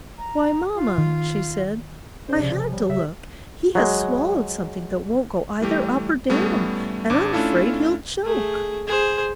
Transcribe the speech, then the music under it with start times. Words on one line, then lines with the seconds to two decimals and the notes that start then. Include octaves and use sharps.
"Why, mamma," she said, "I had to look; he has swallowed something that won't go either up or down, and I'm 'fraid he'll choke."
0.18 A#5
0.75 F4
0.98 D#3
2.28 C#3 C5 D5
2.40 C3 F3
2.56 G#5
2.72 G3 G4 C#5
2.89 C#3 E5
3.75 F#3 G#3
5.61 E3 G3 A3 G4
6.29 A2 G3 A3 B3 C#4
7.10 G#1 D4 D6
7.33 A3 C#4 D4 E4 F4 A4
8.25 A3 G#4
8.87 G#4 C5